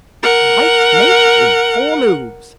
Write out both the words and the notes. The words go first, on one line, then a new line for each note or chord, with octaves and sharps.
"White mates in four moves."
A#4 F#5